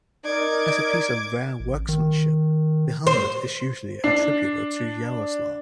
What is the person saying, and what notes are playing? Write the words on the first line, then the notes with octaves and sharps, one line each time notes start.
As a piece of rare workmanship, the helmet is usually attributed to Yaroslav.
D#4 A#4 D5 D6 G#6
A1
D#3
C5
D4 C7